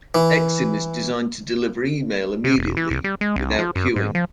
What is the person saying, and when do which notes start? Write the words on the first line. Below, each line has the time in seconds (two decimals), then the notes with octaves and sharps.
Exim is designed to deliver email immediately, without queueing.
0.15 E3
2.44 C3
2.58 E1
2.77 E3
2.90 C2
3.04 G3
3.21 G#3
3.36 C2
3.59 F3
3.76 F#2
3.96 G#2
4.15 F3